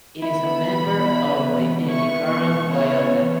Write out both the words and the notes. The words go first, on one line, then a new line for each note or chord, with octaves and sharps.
It is a member of the Ediacaran biota.
E4 B5
B3
E2
B2
E4
B3
E2
B2
E4 C#6
B3
E2
B2
E4 C#5
B3
E2